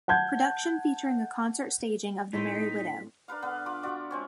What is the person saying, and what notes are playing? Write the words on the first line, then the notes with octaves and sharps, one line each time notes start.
Production featuring a concert staging of The Merry Widow.
F#5 A5 G6 G#6
A2 C4 D#4 G5 B6
D4 A#4 B4 F5
D3 B3 B4
F4 B5 D6
F4 F#4 D5 E5
G#3 C4 C#5